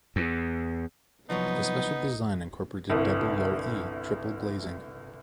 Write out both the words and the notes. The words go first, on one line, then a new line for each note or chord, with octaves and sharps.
The special design incorporated double low-"e" triple glazing.
E2
C2 F3 F#3 B3 D#4
G1 C2